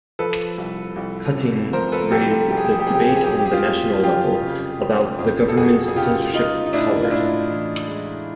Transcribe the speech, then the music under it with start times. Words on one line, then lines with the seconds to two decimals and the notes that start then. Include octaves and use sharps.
Cutting raised the debate on the national level about the government's censorship powers.
0.19 F3 A4 B4
0.58 C2
0.96 C2
1.35 C3
1.73 F3 A#4 C5
1.92 A4 B4
2.11 C2 G4 A4
2.30 G4 A4
2.49 C2 G4
2.57 G#4
2.65 G4
2.72 G#4
2.80 G4
2.87 C3 G#4
2.94 G4
3.01 G#4
3.09 G4
3.16 G#4
3.24 G4
3.27 F#3 G#4
3.39 G4
3.46 G#4
3.53 F4 G4
3.66 F2
4.03 F2 F4 G4
4.42 C#3
4.80 F#3
5.19 F2
5.48 A4
5.57 F2 F#4 G#4
5.88 G#4
5.96 C#3 F4 G4
6.34 G#3 D#4 F4
6.66 D#4
6.73 A2 D4 E4
7.03 F4
7.11 A2 D4 E4
7.50 E3
7.88 G#3